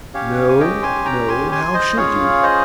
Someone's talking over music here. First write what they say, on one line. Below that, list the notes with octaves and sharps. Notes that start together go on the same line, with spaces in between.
No, no; how should you?
C#4 G4 C#5 F5
G#5
D#5 G5
G#5 C6
G5 A#5
G#5 C6
G#5 C6
C5 D#5
C#4 F4 G#4 C#5 F5
C5 D#5